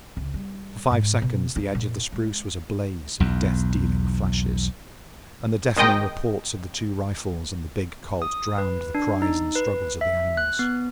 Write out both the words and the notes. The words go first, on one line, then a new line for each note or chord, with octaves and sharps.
For five seconds the edge of the spruce was a blaze of death-dealing flashes, and the deafening reports of the two rifles and the big Colt drowned the cries and struggles of the animals.
C#2
G3
G#2
B2
G2
A#2
G#3
B1 E2
G#1 D#3 G#3 D#5 G5 A#6
D#6
B4
D4
D#4
B4
E5
F#6
B3